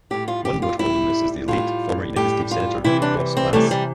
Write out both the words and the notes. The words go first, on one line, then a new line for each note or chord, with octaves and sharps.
One notable alumnus is the late former United States Senator Ross Bass.
A2 G3 G4
F4
G4
F4
A2 G3 E4
A2 G3 F4
A2 G3 G4
F4
C3 E3 G3 E4
D4
C4
C3 E3 G3 A3
G3